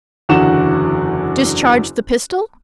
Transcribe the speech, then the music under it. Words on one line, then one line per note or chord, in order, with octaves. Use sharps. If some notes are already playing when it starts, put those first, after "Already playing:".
Discharge the pistol?
F#1 E2 D3 F#4 F#5 E7